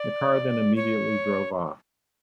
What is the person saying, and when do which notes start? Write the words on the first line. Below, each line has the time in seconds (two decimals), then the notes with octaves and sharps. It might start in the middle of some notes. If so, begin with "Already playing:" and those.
The car then immediately drove off.
Already playing: D5
0.76 C#5